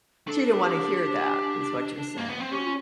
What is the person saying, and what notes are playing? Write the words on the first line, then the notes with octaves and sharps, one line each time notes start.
She didn't wanna hear that, is what you're saying.
D4 A4
G4
A#3
B3
C4
C#4 G4
F#4
F4